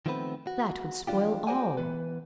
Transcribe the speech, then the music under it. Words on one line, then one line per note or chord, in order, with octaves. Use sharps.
'That would spoil all.
D#3 F3 A3 B3 C4 B4
F#4
E3 F3 D4 F4 G4
F#4 G#4 C5 D5 F#5 G#5
E3 B3 B4